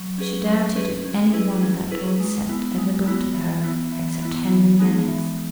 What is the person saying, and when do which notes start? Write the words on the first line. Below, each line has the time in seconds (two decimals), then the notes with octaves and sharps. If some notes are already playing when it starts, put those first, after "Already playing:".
She doubted if any one of that old set ever thought of her, except Henry Lennox.
Already playing: F#3
0.18 C#4 G#4 B4
0.46 F#3
0.76 C#4 G#4 B4
1.05 C#4
1.33 E4 G#4 B4
1.62 C#4
1.91 E4 G#4 B4
2.20 G#3
2.49 B3 E4
2.78 G#3
3.07 B3 E4
3.34 E3
3.64 B3 E4
3.92 E3
4.22 B3 E4
4.50 E3
4.79 G#3 B3 D#4 G#4
5.08 E3